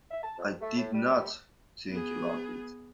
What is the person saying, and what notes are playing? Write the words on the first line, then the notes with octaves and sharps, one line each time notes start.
I did not think about it.
E5
A5
F2
A3
A2
G3
B3 G#4